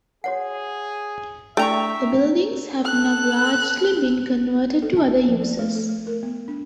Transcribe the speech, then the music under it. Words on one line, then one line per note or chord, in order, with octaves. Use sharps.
The buildings have now largely been converted to other uses.
F#4 G#4 C#5 F#5
A3 D4 E4 D5 E5 G5 A#5 C#6
A4 F#6
A4
A5
B4
F3
D5
A3
A4
A3
A#4
B3
D4